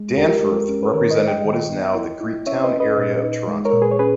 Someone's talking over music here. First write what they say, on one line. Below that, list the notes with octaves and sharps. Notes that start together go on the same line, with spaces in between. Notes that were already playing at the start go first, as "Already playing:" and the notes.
Danforth represented what is now the Greektown area of Toronto.
Already playing: G#3
D#2 G4 A#4
G#3
C#4
B4
D#3 A#4 C#5
B4 D#5
G#3
D#5 G5
D#3
B3
E4
E4
C#4 C#5 E5
B4 D#5
C#4
B4 D#5
A#2
D#4
G#3
A#4 C#5
A#2
G#4 B4
C#5
C#4 G#4 B4